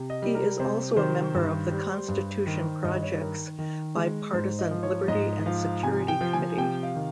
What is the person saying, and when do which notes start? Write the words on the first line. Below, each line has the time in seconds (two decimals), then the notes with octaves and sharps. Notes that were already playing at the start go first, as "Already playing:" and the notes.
He is also a member of the Constitution Project's bipartisan Liberty and Security Committee.
Already playing: C3
0.10 D#5
0.22 G3
0.35 A#4
0.59 C3 C5
0.96 D#3 C5
1.34 G2
1.71 G3
2.08 G2
2.47 D#3
2.84 G2 D#5
3.03 C#5
3.21 D#3 A#4
3.59 D#3
3.96 G#3
4.33 G#2 C5
4.59 D#5
4.71 F3
4.83 C#5
5.08 G#2 D#5
5.46 F3 F5
5.83 C3 G#5
6.08 G5
6.21 F3
6.33 G#5
6.57 C3 G5
6.83 F5
6.95 D#3